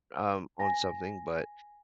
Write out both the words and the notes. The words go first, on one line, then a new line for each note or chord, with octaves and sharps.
um, on something, but,
G#5 A#6